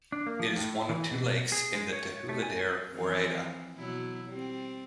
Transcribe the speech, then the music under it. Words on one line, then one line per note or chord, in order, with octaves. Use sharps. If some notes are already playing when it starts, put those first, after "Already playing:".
It is one of two lakes in the Tehuledere woreda.
D4
A#3
F3
A2
E3
B2
G#4
G#3
C#5
A3
G#5
E3 F3 C4
B2 F#3 E4
G3 C4